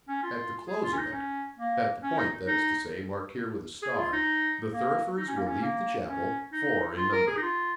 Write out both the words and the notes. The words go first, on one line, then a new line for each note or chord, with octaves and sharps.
At the close of it--at the point, that is to say, marked here with a star, the thurifers will leave the chapel, four in number.
C#4
F4
G#4
F4
C#4
D#4
C#4
A#3
C#4
D#4
D#4
G#4
F4
D#4
A#3
D#4
C#4
A#3
C#4
A#3
C#4
D#4
F4
A#4
G#4
D#4
F4